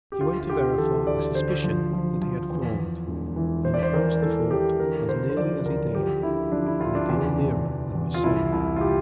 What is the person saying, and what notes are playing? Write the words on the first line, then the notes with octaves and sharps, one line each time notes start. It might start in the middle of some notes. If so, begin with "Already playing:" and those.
He went to verify a suspicion that he had formed, and approached the fort as nearly as he dared and a deal nearer than was safe.
G4
D2 F4
F4
D2 G4
E3 A4
D2 D5
D3 C5
F3
F3
F3
E2
E2
E1
E3
E3 C5
D5
C5
E2 A#4
E3 A4
E3 G4
D3 A#4
D3 C5
C5
F3 D5
D2 A#4
F3 G4
D3 E4
F3 D4
E4
D2 F4
D4
E2
C3
E2
E2
F4
C2 E4
C2 E4
F4
G4